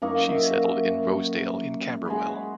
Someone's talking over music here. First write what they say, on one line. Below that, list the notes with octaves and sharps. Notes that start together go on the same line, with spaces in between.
She settled in Rosedale in Camberwell.
F#2 A#3 D#4 C#6
F#4 E5
G#3 F#4 B5